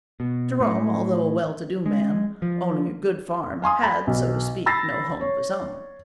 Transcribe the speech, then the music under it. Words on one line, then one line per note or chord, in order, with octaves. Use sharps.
Jerome, although a well-to-do man, owning a good farm, had, so to speak, no home of his own.
B2
A2
G#3
F3
F5 G#5 C6 D#6
B5
B1
B5 E6 A6 A#6 C7
C#5